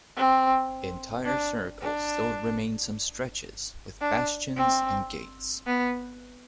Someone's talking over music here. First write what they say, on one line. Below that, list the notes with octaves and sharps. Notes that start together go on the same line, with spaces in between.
Entire circle still remain some stretches, with bastions and gates.
C4
D4
D4
D4
C4
B3